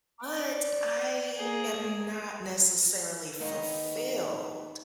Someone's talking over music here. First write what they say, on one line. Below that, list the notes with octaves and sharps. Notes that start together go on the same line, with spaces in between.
but I am not necessarily fulfilled.
D5
A#3 G#4
D#2 D#3 G#3 B3 D#5 A#5